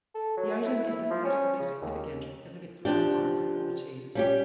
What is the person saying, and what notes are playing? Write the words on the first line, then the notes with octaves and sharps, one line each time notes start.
The item is aesthetically significant because of its landmark qualities.
A4
F#3
E4
E4
F3
C#4
C#3
D#2
F3 D4 G4
G3 C#4 G4